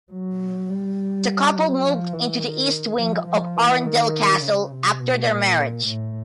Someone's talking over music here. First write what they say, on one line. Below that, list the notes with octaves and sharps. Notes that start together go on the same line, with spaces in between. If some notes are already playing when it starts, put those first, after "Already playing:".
The couple moved into the East wing of Arundel Castle after their marriage.
F#3
G3
F#3
F3
E3
D#3
F3
F3
E3
D#3
C#3
C3
B2
A#2
A2